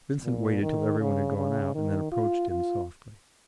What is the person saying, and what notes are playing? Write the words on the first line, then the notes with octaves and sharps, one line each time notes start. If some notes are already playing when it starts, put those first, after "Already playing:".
Vincent waited till everyone had gone out, and then approached him softly.
A#2
D#3
C#3
C#3
D#3
F4
F4